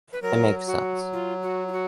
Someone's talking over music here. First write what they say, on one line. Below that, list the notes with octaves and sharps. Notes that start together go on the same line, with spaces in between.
It makes sense.
B4
F#3 A#4
F#4
F4
F#4
F4
F#4